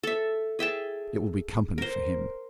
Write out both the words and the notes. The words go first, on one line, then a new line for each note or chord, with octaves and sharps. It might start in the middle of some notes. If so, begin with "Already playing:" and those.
It will be company for him.'
A4 E5
G#4 E5 G5 A5
A#4 C5